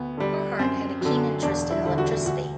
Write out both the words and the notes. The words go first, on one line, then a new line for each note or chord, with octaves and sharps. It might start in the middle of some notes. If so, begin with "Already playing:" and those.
Carhart had a keen interest in electricity.
Already playing: D2 B3
D3 G3
F#2 C4
D3 F#3
E1 D4
E4
D2 D3 G3
F#4
D2 F#4